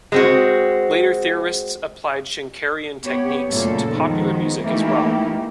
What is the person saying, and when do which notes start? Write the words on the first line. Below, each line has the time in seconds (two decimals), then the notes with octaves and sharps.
Later theorists applied Schenkerian techniques to popular music as well.
0.12 G#3 C4 F#4
3.03 B3 G4 C#5
3.48 F#2 A#2 C#3 A3 A#3 A4
3.90 D#3 F3 G#3 B3
4.61 E3 A3 A#3 D#4 E4 G4